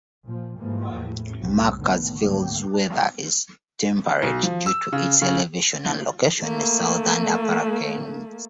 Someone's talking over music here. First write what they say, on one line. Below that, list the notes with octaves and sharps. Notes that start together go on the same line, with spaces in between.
McCaysville's weather is temperate due to its elevation and location in the southern Appalachians.
A#2 F3
G#2 E3 F3 G3 A#3
E2 A2
C2 F#2 A2 C3 G3 A3
A2 D3 D#3 A3 B3
G#1 D2 D3 F#3 A3 A#3
B1
F3
E6
C#3
C#3
A3 A#3